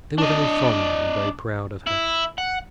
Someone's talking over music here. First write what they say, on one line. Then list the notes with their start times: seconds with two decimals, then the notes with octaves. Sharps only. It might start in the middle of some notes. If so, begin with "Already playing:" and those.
They were very fond and very proud of her.
0.18 D4 D#5
1.87 E4
2.38 F#5